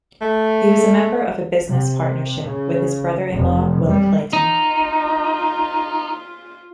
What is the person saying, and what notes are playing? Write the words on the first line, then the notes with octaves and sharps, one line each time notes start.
He was a member of a business partnership with his brother-in-law Will Clayton.
A3
C3
C#3
F1
G3
D#4 F4